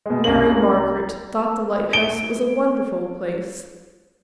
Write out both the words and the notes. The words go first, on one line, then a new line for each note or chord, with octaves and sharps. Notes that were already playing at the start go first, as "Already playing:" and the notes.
Mary Margaret thought the lighthouse was a wonderful place.
B2 G#3
C2 C#4 F#7
A#5
D7 G7